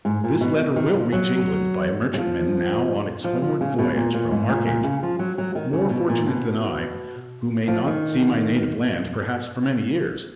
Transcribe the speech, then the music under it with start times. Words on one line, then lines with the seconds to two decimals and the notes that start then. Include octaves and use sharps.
This letter will reach England by a merchantman now on its homeward voyage from Archangel; more fortunate than I, who may not see my native land, perhaps, for many years.
0.05 G#2
0.24 A#2
0.41 B2
0.76 D#3
0.94 F3
1.13 F#3
2.14 F#3
2.18 F3
3.24 F3
3.42 F3
3.61 C#3
3.79 B2
3.96 A#2
4.14 A#2
4.31 G#2
4.49 A#2
4.67 A#2
4.84 C#3
5.03 F3
5.19 F#3
5.38 F#3
5.55 D#3
5.73 C#3
5.90 B2
6.09 A#2
6.27 B2
7.68 F3
7.86 D#3